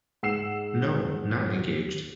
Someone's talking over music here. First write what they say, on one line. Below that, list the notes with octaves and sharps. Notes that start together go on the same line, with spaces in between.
No, not engaged.
G#2 F#5 E6 C7 E7